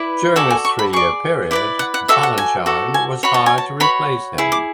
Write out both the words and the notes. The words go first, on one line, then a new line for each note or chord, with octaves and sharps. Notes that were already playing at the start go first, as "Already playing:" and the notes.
During this three-year period, Balanchine was hired to replace him.
Already playing: E4 B4 D5
F#4 A4 D5 G#5
G#5
C#6
B5
G#4 D5 C#6
E4 B4 D5 D6
F#5
F#5
F#4 A4 D5 E5
F#5
G#5
F#4 A4 D5
G#5
F#4 C#5 B5
A5
G#5
A5
F#4 C#5 B5
E4 G#4
D6